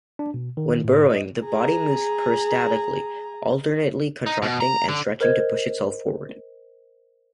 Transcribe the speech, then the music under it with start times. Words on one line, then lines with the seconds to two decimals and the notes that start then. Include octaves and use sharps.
When burrowing, the body moves peristaltically, alternately contracting and stretching to push itself forward.
0.19 D4
0.34 B2
0.57 D#3
0.84 A2
1.09 D#5
1.44 G#4 A#5
4.26 D#4
4.42 B2
4.60 A#5
4.89 D3
5.21 A#4 C5 D#5 G#6